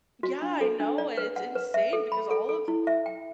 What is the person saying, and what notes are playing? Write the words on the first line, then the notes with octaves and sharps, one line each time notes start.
Yeah, I know, and it's insane because all of
F#4
D4
A4
D4
D5
B4
F#5
B4
E5
A4
B5
A4
A4
E4
E5
G5